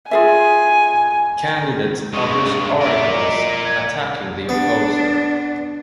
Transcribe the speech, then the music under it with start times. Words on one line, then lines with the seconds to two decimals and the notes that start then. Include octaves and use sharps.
Candidates published articles attacking the opposer.
0.11 F4 G#4 E5 G#5
2.14 G2 G#3 C#6
2.81 A#4 D5 E5
3.20 D#5
3.65 G#6
4.49 B3 D4